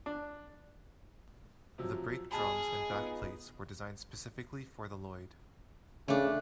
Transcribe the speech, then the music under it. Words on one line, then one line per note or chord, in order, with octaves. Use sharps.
The brake drums and back plates were designed specifically for the Loyd.
D4
C3 F3 F#3
B1 G#4 A5 B5
B3 D#4 F4
C#3 A3 D4